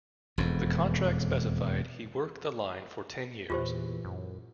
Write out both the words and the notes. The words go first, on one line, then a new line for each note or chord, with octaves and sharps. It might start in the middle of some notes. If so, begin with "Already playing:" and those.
The contract specified he work the line for ten years.
E1 F2
E2 A#2 E3 F4 G4 C5
F#2